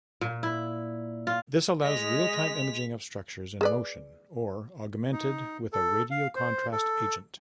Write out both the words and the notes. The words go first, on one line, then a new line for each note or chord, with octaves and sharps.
This allows real-time imaging of structures in motion or augmented with a radiocontrast agent.
A#2
E4
F4
G#3 D#5 B6 F7
G#4 B4 D5
D#4
A4
F5
C5
A4